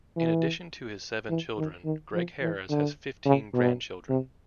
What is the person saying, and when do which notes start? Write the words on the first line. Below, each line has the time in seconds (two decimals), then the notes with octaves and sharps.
In addition to his seven children, Gregg Harris has fifteen grandchildren.
0.17 E3
1.29 E3
1.57 D#3
1.85 D#3
2.14 F3
2.41 E3
2.69 D3
3.25 C#3
3.54 B2
4.10 C3